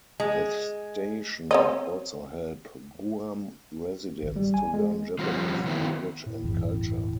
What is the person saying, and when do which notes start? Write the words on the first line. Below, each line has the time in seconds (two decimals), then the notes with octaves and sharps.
The station would also help Guam residents to learn Japanese language and culture.
0.20 G#3
1.51 C4 C#5 D#5
4.22 G#1
4.36 G3
4.54 G#5
4.74 G#3
5.19 F3 G3 C4 C#4 F#4
5.66 D#3 A3 B3 C4 E4
6.26 A2
6.43 G1 E2 E3